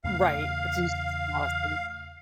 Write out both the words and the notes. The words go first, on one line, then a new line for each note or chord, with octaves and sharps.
Right, I jus exhausting.
E2 C#3 A3 F5